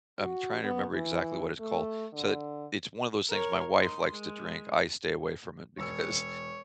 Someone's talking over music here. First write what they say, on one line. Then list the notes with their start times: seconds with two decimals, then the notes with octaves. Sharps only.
I'm trying to remember exactly what it's called. So it it's one of those things my wife likes to drink. I stay away from it because,
0.19 F#4
0.64 B3
0.94 E3
1.60 A3
2.14 D3
3.29 A#4 C#5
3.76 D#4 C6
4.12 G#3
5.78 E1 C#5 E6 C#7